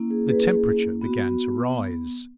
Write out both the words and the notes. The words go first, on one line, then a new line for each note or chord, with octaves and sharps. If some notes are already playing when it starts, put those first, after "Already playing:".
The temperature began to rise.
Already playing: A#3 C#4 E4
G#4
G#4 B4
G#4
B3 F#4